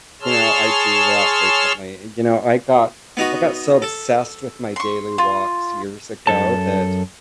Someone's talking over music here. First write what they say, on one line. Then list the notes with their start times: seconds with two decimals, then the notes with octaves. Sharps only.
you know, I do that frequently. You know, I got I got so obsessed with my daily walks years ago that
0.22 G#4 C#5 A5 C6 E6 F6
3.17 B3 D#4 F#4
3.82 A4
4.76 C6 C#6
5.18 F4
6.27 F#2 A4 A5